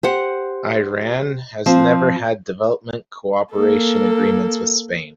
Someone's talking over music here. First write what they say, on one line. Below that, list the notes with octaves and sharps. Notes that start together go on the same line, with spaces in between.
Iran has never had development cooperation agreements with Spain.
G4 C5 F#5
F3 C4
A#3 A4